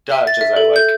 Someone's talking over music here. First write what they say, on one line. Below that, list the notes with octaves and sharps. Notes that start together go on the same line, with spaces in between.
Dodge as I like.
E5
A6
E5
A4
G6